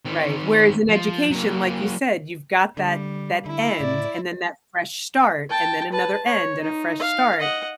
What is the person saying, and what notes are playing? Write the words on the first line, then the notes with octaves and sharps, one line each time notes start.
Right, whereas in education, like you said, you've got that that end, and then that fresh start, and then another end, and a fresh start.
D#3 C4
F3
F#3 A#3
D3 G3
D3 E4
A2 D5
G5 A5
B4 A5
C#5
D#4
F5
D#5 F#5